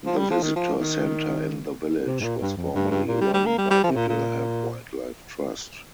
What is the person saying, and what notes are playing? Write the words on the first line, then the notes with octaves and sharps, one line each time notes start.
The visitor centre in the village was formerly run by the Durham Wildlife Trust.
F3
G3
F3
D#3
F3
D#3
C3
G2
A#2
G2
F2
G2
G2
A#2
G3
G3
A#3
G3
G3
F3
C3
A#2
A#2